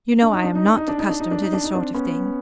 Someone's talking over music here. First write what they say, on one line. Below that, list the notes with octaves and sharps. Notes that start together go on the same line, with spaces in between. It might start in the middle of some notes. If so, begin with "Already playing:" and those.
You know I am not accustomed to this sort of thing.
D4
D#4
D4
D#4
D4
D#4
D4
D#4
D4
D#4
D4
D#4
D4
D#4
C4 D4
B3 C#4